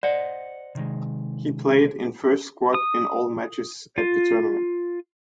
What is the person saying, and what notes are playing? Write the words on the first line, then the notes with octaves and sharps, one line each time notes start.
He played in first squad in all matches at the tournament.
C5 D5 D#5 F#5
C3 D#3 G#3
D#6
F4